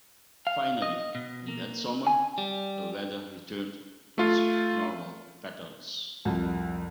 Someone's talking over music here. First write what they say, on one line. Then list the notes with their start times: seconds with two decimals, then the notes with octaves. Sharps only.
Finally, in that summer, the weather returned to its normal patterns.
0.47 F5
0.82 D#5
1.15 B2
1.48 A#3
2.07 G#5
2.38 G3
4.18 A3 F4 F5
6.25 C2 F2